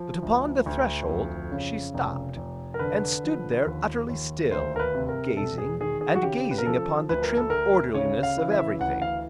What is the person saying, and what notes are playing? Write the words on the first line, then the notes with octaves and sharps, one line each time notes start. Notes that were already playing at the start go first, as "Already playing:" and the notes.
But, upon the threshold, she stopped, and stood there utterly still, gazing, and gazing upon the trim orderliness of everything.
Already playing: F3
D2
D2
F2
C#3
F1
F1
A#4
D3 B4
F3
D#2
D#2
D2 C5
A#4
B4
C3
A#4
E1 A4
G#4
D#3 G#4
G#4
F#4
C#3 G4
B4
A#4
F3 A4
D2 B4
A#4
A4
D2 A#4
C#3 C#5
F5
E3
E5
D2 F#5
F5